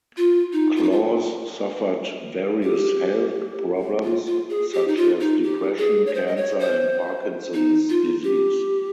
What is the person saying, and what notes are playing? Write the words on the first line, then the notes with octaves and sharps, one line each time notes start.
Claus suffered various health problems, such as depression, cancer and Parkinson's disease.
F4
D#4
F4
D#4
F4
G4
F4
F4
G#4
G4
D#4
F4
D#4
G4
G#4
C#5
C5
D#5
C#5
C5
D#4
F4
G4